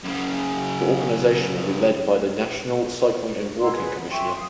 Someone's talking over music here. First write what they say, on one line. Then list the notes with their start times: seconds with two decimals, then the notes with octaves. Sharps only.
The organisation will be led by the National Cycling and Walking Commissioner.
0.04 F#2 C#3
3.59 E4 F#5 A#5 C6
3.73 G#4 B4
3.95 F#5 B5
4.09 E5 G5 C6 C#6
4.35 F5 D#6